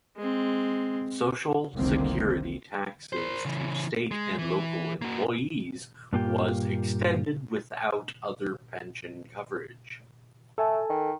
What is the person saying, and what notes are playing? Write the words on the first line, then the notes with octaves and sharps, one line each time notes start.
Social security taxes to state and local employees was extended without other pension coverage.
G#3 C4
F1 C2 D3 D#3 A#3 C4
A#4 C5
C#3 E3
G#3
E3
A#3 F#4
G2 A#2 A#3 F4 G4
A3 A4 G#5 A5
D#3